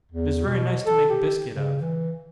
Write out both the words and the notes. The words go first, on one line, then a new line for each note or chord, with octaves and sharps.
It is very nice to make biscuit of.
E2
B2
A4
G4
C#3
E3